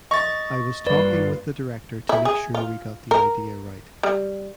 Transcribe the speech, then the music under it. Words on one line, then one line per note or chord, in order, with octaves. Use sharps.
I was talking with the director to make sure we got the idea right.
D#5 C#6 A6
G2 A#3 F4 B4 D5
E4
G#4
F4
A#4
G3